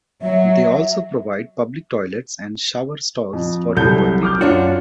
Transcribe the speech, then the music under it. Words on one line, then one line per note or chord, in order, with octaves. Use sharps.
They also provide public toilets and shower stalls for poor people.
F#3 E5
F2
C2 F#3 A4 G6
D6 F6 G6
F#2 C#4 D4 F4 F#4